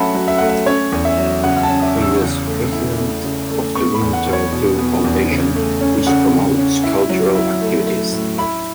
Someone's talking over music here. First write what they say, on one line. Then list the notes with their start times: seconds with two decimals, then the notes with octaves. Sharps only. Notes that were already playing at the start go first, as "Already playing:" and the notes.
He was President of the Winterthur Foundation, which promotes cultural activities.
Already playing: F#3 A3 C#4 E5 F#5 A5 B5
0.15 F#3
0.28 E5
0.38 A3 F#5
0.49 E5
0.66 C#4 C#5
0.92 E2
1.05 E5
1.18 F#3
1.44 C#3 F#5
1.56 F#5
1.63 A5
1.70 C#4
1.82 E5
1.96 E2
2.02 E6
2.21 C#3
2.46 A3
2.72 E4
2.98 A3
3.24 C#3
3.50 A3
3.75 B3 C#6
3.94 B5
4.01 E2
4.13 F#5
4.26 E2
4.33 C#5
4.52 B2
4.79 B3
5.04 E2
5.30 C#3
5.56 A3
5.81 C#4
6.07 C#3 F#5
6.32 C#3
6.58 C#4
6.84 E4
7.09 F#3
7.35 E4
7.61 A3
7.87 A3
8.12 A2
8.38 E4 B5